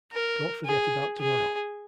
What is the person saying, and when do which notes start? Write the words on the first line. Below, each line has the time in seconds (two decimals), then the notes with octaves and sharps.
Don't forget about tomorrow.
0.13 A#4
0.66 G#4
1.20 G#4